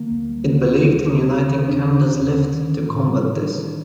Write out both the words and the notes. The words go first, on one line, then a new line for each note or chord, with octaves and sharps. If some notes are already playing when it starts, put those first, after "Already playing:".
It believed in uniting Canada's left to combat this.
Already playing: D3 A#3
D2
G3
D2
D2
G3
D2
G3
G3 D#4
D#3
D#2 D4
C#4
D#3 D4
D#3
D#2
D#3
D#3
E3
A2
G3
A2 E4
D#4
G3 D4